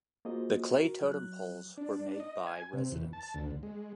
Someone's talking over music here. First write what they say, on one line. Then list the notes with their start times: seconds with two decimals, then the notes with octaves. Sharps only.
The clay totem poles were made by residents.
0.25 A#3 F4 F#4 G#4 C5 D#5
0.78 F#4 A#4
1.03 F#3 F#6
1.78 D4
2.20 D#5
2.47 G#5
2.73 C3
2.92 E2
3.13 A5
3.34 D2
3.63 G#3